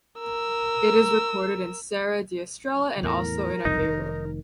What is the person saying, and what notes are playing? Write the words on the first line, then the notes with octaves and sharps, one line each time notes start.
It is recorded in Serra da Estrela and also in Aveiro.
A#4 E6
E2 A2 A#4
F#1 C2 F2 D#4
F1 D#3